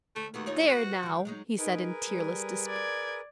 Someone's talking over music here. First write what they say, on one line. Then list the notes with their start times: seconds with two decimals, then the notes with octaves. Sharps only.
"There now!" he said in tearless despair.
0.16 D2 A3
0.34 D#2 A3 B3 F#4
0.46 D#4 F4 C#5
0.67 F#4 B4 C5
1.03 G2 D#3
1.25 F#3 G#3 D#4
1.59 D#4 G#4 A#4 B4
2.09 G3
2.67 D5 G#6